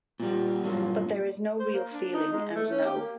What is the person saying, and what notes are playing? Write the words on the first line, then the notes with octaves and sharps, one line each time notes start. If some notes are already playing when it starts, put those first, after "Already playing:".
But there is no real feeling and no.
A#2 G3
G2 A#2 F#3 A#3
C5
A#3
D4
D#4
G#3
A3
C#4
G4
A#3